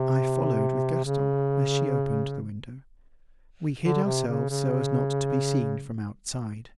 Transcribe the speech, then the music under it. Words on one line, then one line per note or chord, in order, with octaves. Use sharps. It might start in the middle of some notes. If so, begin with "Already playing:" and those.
I followed with Gaston as she opened the window. We hid ourselves so as not to be seen from outside.
Already playing: C3
C#3
D3
C3
C#3
C#3